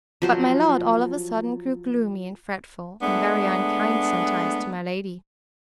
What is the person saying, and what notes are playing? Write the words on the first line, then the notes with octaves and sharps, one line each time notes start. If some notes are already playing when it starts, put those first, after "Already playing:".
But my lord, all of a sudden, grew gloomy and fretful, and very unkind sometimes to my lady.
F3 F#3 C5
G#3 A3 B3 D4